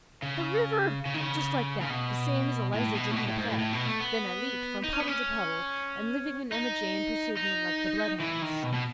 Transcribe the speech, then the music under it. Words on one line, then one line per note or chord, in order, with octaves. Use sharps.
THE RIVER!' just like that--the same as Eliza did in the play; then I leaped from puddle to puddle, and Living and Emma Jane pursued me like the bloodhounds.
C#3
C#3
D#3
C#3
C#3
B2
A2
B2
A2
B2
A2
G#2
A2
A2
B2
A3
B3
D#4
C#4
B3
C#4
D#4
D#4
E3
D#3
B2
B2